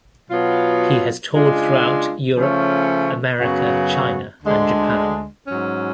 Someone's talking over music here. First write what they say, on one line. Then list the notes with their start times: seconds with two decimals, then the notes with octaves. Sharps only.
He has toured throughout Europe, America, China and Japan.
0.30 B2 F#3 B3 F4
1.33 C#3 G#3 D4 F4
2.36 C#3 F3 A3 C#4
3.40 F#2 C#3 F#3 B3 F#4
4.43 D2 D3 G#3 D4
5.46 G#2 F#3 C#4